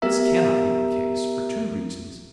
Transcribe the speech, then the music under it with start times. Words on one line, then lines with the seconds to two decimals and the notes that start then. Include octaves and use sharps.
But this cannot be the case for two reasons.
0.02 B3 G4 A#4 E5 A#5